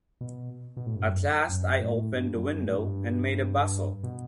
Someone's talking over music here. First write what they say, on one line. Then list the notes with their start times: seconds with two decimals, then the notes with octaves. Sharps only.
At last I opened the window and made a bustle.
0.21 B2
0.77 B2
0.86 A2
0.96 G2
1.06 F#2
1.49 F#2
1.80 A2
2.12 G2
2.33 F#2
2.44 G2
2.54 F#2
2.66 A2
2.75 G2
4.03 B2